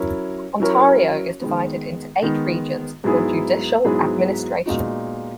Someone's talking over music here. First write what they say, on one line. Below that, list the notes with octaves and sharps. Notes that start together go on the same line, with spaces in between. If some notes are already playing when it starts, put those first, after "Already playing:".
Ontario is divided into eight regions for judicial administration.
Already playing: F#3 C#4 E4 A#4 C#5
F#3 C#4 E4 A#4 C#5
D#3 G#3 B3
D#3 G#3 B3
G#2 F#3 B3 E4 G#4
G#2 F#3 B3 E4 G#4
A#2 G#3 B3 D#4 F#4